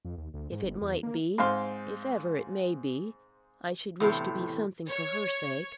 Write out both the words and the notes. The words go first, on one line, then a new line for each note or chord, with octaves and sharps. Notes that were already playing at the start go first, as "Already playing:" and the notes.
If it might be,--if ever it may be,--I should wish to be something for her sake.
F2
D#2
D2
G#2
G1
E2
A#3
G#2 C4 F5 C6
E2 A2 C3
C#5